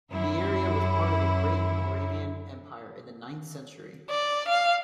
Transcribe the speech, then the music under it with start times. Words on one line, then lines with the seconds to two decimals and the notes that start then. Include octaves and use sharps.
The area was part of the Great Moravian empire in the ninth century.
0.11 F#2 E4
4.10 D5
4.48 F5